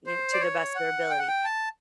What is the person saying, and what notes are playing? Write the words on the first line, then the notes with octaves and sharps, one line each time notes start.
you know, to the best of their ability.
C5
D5
C#5
F#5
G5
F#5
G5
A5